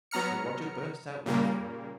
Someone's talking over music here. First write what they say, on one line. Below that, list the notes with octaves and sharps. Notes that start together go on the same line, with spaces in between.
So Roger burst out laughing.
F#3 B3 A#5 F6 C#7
A#2 C#3 G3 A#3